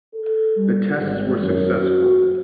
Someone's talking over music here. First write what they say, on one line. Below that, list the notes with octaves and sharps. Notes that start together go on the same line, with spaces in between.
The tests were successful.
A4
G3
G#1
F#2
F#4